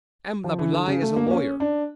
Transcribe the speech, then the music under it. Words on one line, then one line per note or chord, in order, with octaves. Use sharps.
M. Laboulaye is a lawyer.
F3
E3
D3
C#3
A3
A#3
A#3
C#4
D4